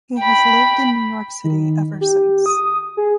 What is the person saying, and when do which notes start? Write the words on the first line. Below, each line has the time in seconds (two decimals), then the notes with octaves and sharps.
He has lived in New York City ever since.
0.18 G5 B5
1.44 D#3
2.01 G4
2.46 D#6
2.97 G#4